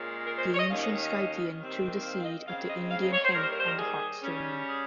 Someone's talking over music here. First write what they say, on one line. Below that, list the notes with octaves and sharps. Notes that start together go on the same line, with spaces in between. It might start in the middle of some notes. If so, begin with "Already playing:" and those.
The ancient Scythian threw the seed of the Indian hemp on the hot stones.
Already playing: A#2 G#3 C#4
A#4
C5
C#5
D#5
D#2 D#3 A#3 C#4 F5
D#5
D#5
D#2 D#3 G3 C4
F5
F5
D#5
C#3 G#3 C4 F5
D#5
F5
D#5
C#5
C5
D#2 D#3 G3 A#4
C5
A#4
C5
A#4
G#4
C#3 G3 C#4
G#4